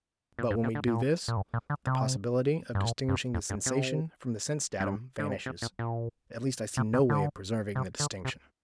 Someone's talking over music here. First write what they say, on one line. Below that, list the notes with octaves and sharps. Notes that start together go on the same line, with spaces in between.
But when we do this, the possibility of distinguishing the sensation from the sense-datum vanishes; at least I see no way of preserving the distinction.
A#2
G2
C3
D3
A#2
A#2
G2
A#2
D3
C3
G2
A#2
G2
F2
G2
C3
G2
D3
C3
C3
A#2
A#2
C3
C3
D3
C3
D3
C3